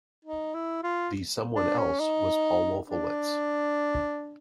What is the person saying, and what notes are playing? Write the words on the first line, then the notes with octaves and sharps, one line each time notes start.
The someone else was Paul Wolfowitz.
D#4
E4
F4
D4
C#4
D#4
D4